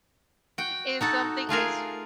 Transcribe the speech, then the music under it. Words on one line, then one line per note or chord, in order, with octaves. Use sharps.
is something I s
F#4 G5
D#4 F#4 A4
A3 F4 G#4 A#4